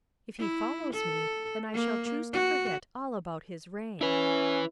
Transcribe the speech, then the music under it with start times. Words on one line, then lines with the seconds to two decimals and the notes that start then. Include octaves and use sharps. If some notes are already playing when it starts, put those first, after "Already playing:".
If he follows me then I shall choose to forget all about his rank.
0.39 E4
0.94 A4
1.74 A#3
2.32 F#4
4.01 C#4 E4 B4